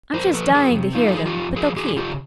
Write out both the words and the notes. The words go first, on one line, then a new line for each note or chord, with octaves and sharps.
I'm just dying to hear them, but they'll keep.
F2 A#4 C5
A#4
F3 A4 B4
F2 G#4 A#4
C3
F2 D#4 F4
A4
F3 G#4
F4 G4
F2
F3 G#4 A#4
E2 F#4 G#4
C#3 F4 G4